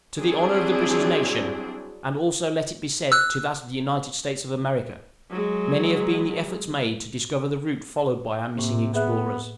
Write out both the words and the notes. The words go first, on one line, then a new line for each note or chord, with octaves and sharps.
To the honor of the British nation, and also let it be said to that of the United States of America, many have been the efforts made to discover the route followed by our missing explorers.
F#3 G3 C4 D4 E4 G#4
E6 F#6
F#3 G#3
A2 C3 A#3
B3 G#4 E5 F#6